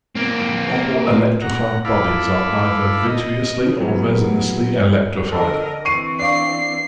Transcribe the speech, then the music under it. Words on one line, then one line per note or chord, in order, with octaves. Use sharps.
All electrified bodies are either vitreously or resinously electrified.
A#3 C4
F#5 A#5
E4 A4 D5 F5 B5
D#5
E3 F#3 G3 B3 G#4
D3 A4 A#4 D#5
E3 C4 C#6 C7 D#7
D4 D5 F5 C#6 C7